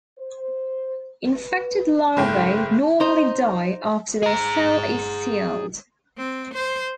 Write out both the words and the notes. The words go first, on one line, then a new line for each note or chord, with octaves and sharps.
Infected larvae normally die after their cell is sealed.
C5
B4
F#1 G#2 C#4 D#4 A4 G5
D#4 C5
G#4 A#5
C4
C5